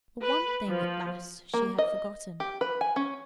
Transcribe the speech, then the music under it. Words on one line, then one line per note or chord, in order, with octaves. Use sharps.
But one thing--at last--she had forgotten.
B4
F3
A#3
D#5
G4
B4
G#5
C#4